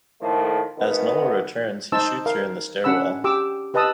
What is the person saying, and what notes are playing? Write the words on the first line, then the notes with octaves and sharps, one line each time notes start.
As Nola returns he shoots her in the stairwell.
A2 D#3 F3 A3 A#3
G#1 D#3 B3
D#4 C5 A5 E6
A#4 F5
C#4 D4 F#5 B5 E6
G4 D6 E6
G4 B4 D#5 A5 D#6 E6